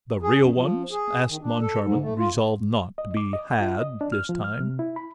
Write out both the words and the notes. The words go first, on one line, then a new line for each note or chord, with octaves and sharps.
"The real ones?" asked Moncharmin, resolved not to be "had" this time.
G#4
F#2
F3
G#4
D#3
D4
A4
G#2
A3
F4
D#5
D6
D#5
F4
D#5
D4
F6
F3
F6
C3
E4
B5